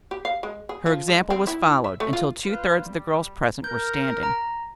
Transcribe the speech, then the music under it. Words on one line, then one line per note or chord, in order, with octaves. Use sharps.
Her example was followed, until two thirds of the girls present were standing.
G4
F5
G#3
G#4
F3
G#3
C4
E4
E5
A3
F4
F4 B4 C5
G3
A#4 G6
A#5